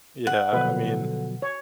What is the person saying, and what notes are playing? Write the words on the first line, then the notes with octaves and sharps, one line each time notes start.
Yeah, I mean,
F#5
B2 D3 F3 F#3 B4
C#5